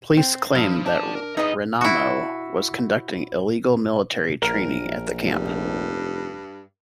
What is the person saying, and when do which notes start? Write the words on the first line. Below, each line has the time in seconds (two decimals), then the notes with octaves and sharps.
Police claimed that Renamo was conducting illegal military training at the camp.
0.17 C4
0.55 G2 F3
0.86 F3 D4 A5
1.15 A#4
1.37 B3 D#4 G#4 B4 D#5
1.81 E4 F#4
4.42 A#1 A#4
5.26 F1 G2